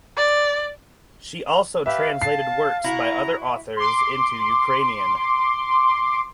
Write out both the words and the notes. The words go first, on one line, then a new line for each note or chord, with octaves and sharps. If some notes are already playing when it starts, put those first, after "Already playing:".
She also translated works by other authors into Ukrainian.
D5
G4 B4 E5 F5
A5 C7
E4 F#4 A#5
C6 D6